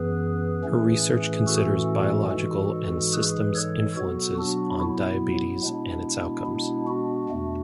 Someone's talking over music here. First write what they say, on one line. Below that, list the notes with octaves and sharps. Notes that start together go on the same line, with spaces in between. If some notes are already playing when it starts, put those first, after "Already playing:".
Her research considers biological and systems influences on diabetes and its outcomes.
Already playing: F#2 E3 B3 G#4 B4
A2 E3 A3 C#4
F#4 A4
G#2 E3 G#3
G#4 B4
A4 C#5
B2 F#3 B3 F#4 A4
D4 F#4
E4
B2 G#3 B3 D4
E4
D4 F#4
E2 B2 A3